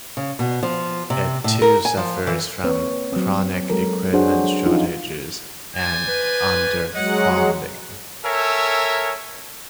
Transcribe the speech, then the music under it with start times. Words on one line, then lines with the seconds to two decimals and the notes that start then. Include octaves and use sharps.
It too suffers from chronic equipment shortages and underfunding.
0.17 C#3
0.39 B2
0.63 F3
1.10 C3
1.44 A2
1.62 A#4
1.85 G#5
1.97 F3
2.27 E3
2.64 A#3 C4 B4 C#5
3.13 F#3 C4
3.70 F#3 G#3 A4 A#4
4.13 D4 F#4 G#4 C5 C#5 F#5
4.44 F#3
4.65 F3 C#4 D#4 F4
5.76 C5 D5 G#5
6.08 B4
6.94 F#3 G#3 D#5 F#5
8.25 A4 A#4 C#5 E5 G#5